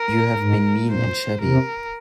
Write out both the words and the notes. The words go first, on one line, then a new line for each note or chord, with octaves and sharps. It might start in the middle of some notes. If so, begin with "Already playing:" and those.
You have been mean and shabby.
Already playing: A#4
G#2
A#2 C5
C3 A#4